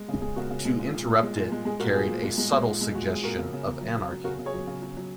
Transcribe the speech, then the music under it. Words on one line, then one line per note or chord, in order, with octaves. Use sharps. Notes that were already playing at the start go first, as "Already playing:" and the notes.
To interrupt it carried a subtle suggestion of anarchy.
Already playing: G#3
C#3 G#4
G#3 G#4
C#3 F#4 A#4
C#3
G#3
A#2
A#2
A#2
G#3
A#2
G#3
G#3 G#4
A#2 F#4 A#4
A#2 G#4
A#2
G#3
G#3
G#3
A#2
G#3
A#2 F#4
G#3 G#4
A#2 F#4 A#4
C#3
C#3
C#3
F#3
F#3
F#3
C#3 F#4 A#4
C#3
G#4 C#5
F#3
C#3
F#3
F#3